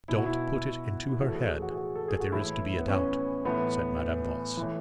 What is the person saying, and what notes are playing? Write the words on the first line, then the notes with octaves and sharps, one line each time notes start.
'Don't put it into her head that there is to be a doubt,' said Madame Voss.
B2 E4
F#4
E4
E4
A2 E3 F#4
A4
G#4
G#4
F#4
G#4
F#4
A4
G#4
F#4
A2 E3 E4
B3
C#4
A2 E3 B3
A2 E3